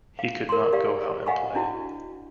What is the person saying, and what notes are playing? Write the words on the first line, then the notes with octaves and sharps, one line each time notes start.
He could not go out and play.
F5
A#4 C6
G4 D5 F5
D#5 F5 F#5 G#5 B5 C#6
D4 E4 F#4